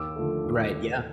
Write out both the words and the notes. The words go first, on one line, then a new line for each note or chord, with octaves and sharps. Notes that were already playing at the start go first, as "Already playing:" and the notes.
Right, yeah.
Already playing: D#2 D6 E6
D3 F3 A3
D#2